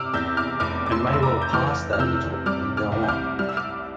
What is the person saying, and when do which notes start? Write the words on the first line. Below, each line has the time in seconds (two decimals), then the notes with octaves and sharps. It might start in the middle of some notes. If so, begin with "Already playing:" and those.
I may well pass that little and go on.
Already playing: C3 D6 E6 F6
0.14 E2 E6 G6
0.37 D6 F6
0.60 F1 D6 F6
0.86 D6
0.91 C6 E6
1.07 F1
1.13 E6
1.22 A#5 D6
1.42 G6
1.53 E3 D6 F6
1.93 F6
1.99 C3 E6 G6
2.46 G3 D6 F6
2.77 D6 F6
2.92 C2
3.03 G6
3.08 D6 F6
3.39 G3 F6
3.49 E6
3.57 D6 F6